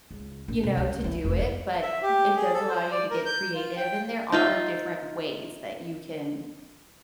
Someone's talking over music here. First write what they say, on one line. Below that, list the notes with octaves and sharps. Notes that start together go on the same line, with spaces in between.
you know, to do it, but it does allow you to get creative, and there are different ways that you can,
C#2
A#1
C3
C#2
E3
F1
E4
E5
G4
G#4
A4
C5
D5
A#4
G6
F4
G5
D#4 F4 E5